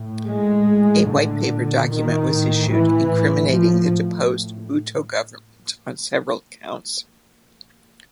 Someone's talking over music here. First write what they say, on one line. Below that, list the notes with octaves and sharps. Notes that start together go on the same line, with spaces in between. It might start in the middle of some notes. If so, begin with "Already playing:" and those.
A white paper document was issued, incriminating the deposed Bhutto government on several counts.
Already playing: A2
G#3
A2
D3
A#2
D#3
A2
E3
A2
F3
A2